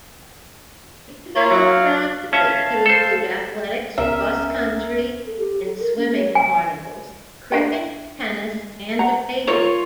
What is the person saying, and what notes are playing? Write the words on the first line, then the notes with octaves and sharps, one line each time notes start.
It developed rapidly to include Athletics, Cross-Country and Swimming carnivals, Cricket, Tennis, and Debating.
A#3 C#5
F#3
F5
C#4 E5 F5 A5
A4 C5
C#2 B3 C#4 A#4 E5 A#5
A4
G4
A4
A#4
C#4
C#5
G#5
D4 G5
F#5 A#5
F4 A#4 C#5